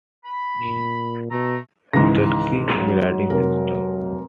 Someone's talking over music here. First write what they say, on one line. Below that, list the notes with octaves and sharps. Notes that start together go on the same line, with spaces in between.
Turnkey grading system.
B5
A#2
B2 A3 A#5
C#2 G#2 D#3 E3 A#6
F#3
F1 A#4